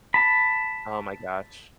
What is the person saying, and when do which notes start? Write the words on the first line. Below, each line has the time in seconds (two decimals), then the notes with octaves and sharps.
Oh, my gosh.
0.14 A5 B5